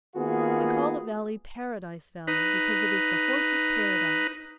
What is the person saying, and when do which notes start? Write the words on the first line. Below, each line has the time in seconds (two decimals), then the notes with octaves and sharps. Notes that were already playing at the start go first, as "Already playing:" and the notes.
We call the valley Paradise Valley because it is the horses' paradise.
0.16 D#3 A#3 B3 F4 F#4 G#4
2.27 D#4 B4